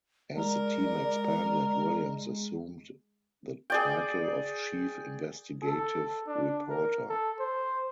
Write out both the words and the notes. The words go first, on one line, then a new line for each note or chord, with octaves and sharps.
As the team expanded, Williams assumed the title of chief investigative reporter.
G#3 A#4 D5
G#4 D5 G5
A4
D4
A#4
A4
C5